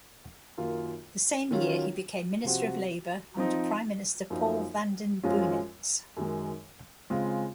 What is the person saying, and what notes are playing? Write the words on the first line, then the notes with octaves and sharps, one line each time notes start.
The same year he became minister of Labour under Prime Minister Paul Vanden Boeynants.
F#2 D#3 A#3 F4
D#3 F#3 C#4 F4
C3 F3 C4 F#4
F3 C4 D#4
F#2 F3 A#3 D#4
F#2 F3 G#3 C#4 F4
F#2 D#3 G#3
C#3 G#3 C4 F4